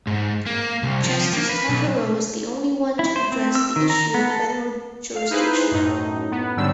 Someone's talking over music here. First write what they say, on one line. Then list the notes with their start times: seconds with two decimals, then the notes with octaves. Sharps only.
Justice Taschereau was the only one to address the issue of federal jurisdiction.
0.07 G#2
0.46 A#3
0.83 C2
1.04 F3
1.33 A#3
1.49 B4
1.69 B1
2.99 E4
3.16 C5
3.32 C4
3.55 E6
3.76 D#3
3.90 A#5
4.14 B3
4.30 A4
5.16 F5
5.30 D#4 E4 G#4 B4 C5
5.71 F#2 A2 D#4
6.31 B3
6.57 G#2 D3 F#3 G3 D4 E6